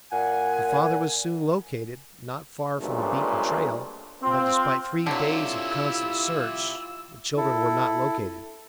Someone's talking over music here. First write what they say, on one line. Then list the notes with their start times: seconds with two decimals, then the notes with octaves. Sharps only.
The father was soon located, not far from the beaten trail, but despite three days of constant search, the children were not located.
0.12 A#2 F#5 G#5
2.80 B1 G2 A#2 F3 G#3 A3
4.23 C4 F4
5.07 D3 F#3 E4 F4 G4 E6
7.37 E4 A4